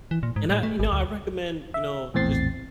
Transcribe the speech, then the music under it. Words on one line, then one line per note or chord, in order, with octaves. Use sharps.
And I you know, I recommend, you know, just
E3
A#2
G#2
A2
A3
G#1
D2
E5
A#1 E2 A2 C4 A6 C7